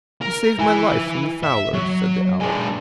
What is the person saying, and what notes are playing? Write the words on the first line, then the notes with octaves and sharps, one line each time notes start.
"You saved my life from the fowlers," said the owl.
A#4
E4 G#5
E5
F#3
G#3 D4